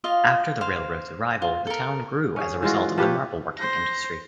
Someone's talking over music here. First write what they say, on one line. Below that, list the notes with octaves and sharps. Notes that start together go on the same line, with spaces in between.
After the railroad's arrival, the town grew as a result of the marble-working industry.
F4 D#5 F5
C5 F5
F4
A4 A#4
C#4 G#4
E3 G#3 F4 F#4
F3 G4 B4 C#5
C5 A#6